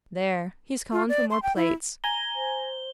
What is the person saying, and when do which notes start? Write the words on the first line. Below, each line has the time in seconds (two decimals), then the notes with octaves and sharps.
There, he's calling for more plates.
0.92 F4
1.09 D5
1.30 C6
1.43 G5
1.56 E4
2.04 G#5 A#5 G7
2.36 C5